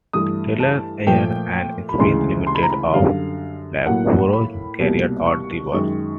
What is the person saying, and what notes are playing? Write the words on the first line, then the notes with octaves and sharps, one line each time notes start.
Taylors Eayre and Smith Limited of Loughborough carried out the work.
G2 E3 A3 D#6
A5
A#2 F3 A3 G5
B5
D2 C#3 E3 G#3 C6
C6
B5
A#5
B5
F#2 D3 G3 F5
A2 F#3 A#3 F#5
B5
C2 B2 G3 A#3
C#6
F#2 D#3 G#3 C#6